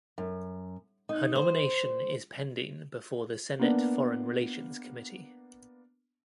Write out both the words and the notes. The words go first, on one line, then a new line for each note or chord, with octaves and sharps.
Her nomination is pending before the Senate Foreign Relations Committee.
F#2
D#4
C5
A#3 B3 D4